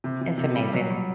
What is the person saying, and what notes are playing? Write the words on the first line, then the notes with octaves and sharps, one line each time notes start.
It's amazing.
C3
C3
C3
G3
F#3
F#3